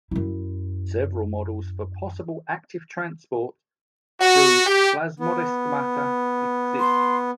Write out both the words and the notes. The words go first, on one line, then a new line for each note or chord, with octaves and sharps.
Several models for possible active transport through plasmodesmata exist.
F#2 E4
F#4
G4
B3
C6